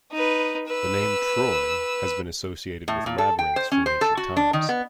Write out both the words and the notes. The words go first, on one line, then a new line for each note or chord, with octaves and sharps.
The name "Troy" has been associated with labyrinths from ancient times.
D#4 B4
B4 E6
A2
A#2
A4
G5
C5
C#4
C5
A4
F#4
D4
D#3
B3